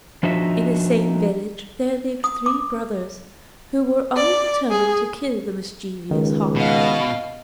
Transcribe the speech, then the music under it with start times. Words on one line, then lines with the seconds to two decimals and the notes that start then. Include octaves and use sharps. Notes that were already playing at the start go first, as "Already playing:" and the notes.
In the same village there lived three brothers, who were all determined to kill the mischievous hawk.
0.23 F3 D4 D#4 F#4 E5
2.24 D#6
2.46 D6
4.16 D5
4.71 G#4
6.11 C#2 D#3
6.56 B2 D#5 F5